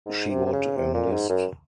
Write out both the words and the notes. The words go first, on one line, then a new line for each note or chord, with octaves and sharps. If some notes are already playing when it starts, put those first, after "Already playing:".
She would enlist.
G#2
C3
C3
C#3
C3
A#2
G#2
F#2